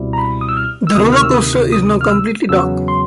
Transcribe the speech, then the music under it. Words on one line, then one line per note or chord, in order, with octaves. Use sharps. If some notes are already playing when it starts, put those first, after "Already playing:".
The roller coaster is now completely dark.
Already playing: C#2 B2 G3 C4 E4
A#5
B5
D#6
E6
F6
E6
D2 C3 D#3 D#6
F6
E6
D#6
D#6
F6
E6
E2 C#3 F#3 B3 E6
C6